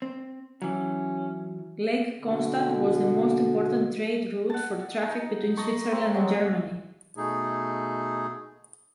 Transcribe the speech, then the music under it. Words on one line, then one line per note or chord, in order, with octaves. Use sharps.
Lake Constance was the most important trade route for traffic between Switzerland and Germany.
C4
E3 F#3 C#4
B2 D3
F#5 A5
D#4
D#5 A5 C#6
A#3 C4 C5
F#3 G#3
B2 A3 D#4 G#4